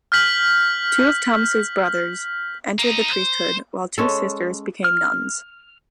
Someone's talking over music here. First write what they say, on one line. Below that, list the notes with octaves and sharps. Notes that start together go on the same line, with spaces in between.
Two of Thomas's brothers entered the priesthood, while two sisters became nuns.
F6 G6 B6 F#7
A#3 D#4
C5
G#3 C#4 A4
F6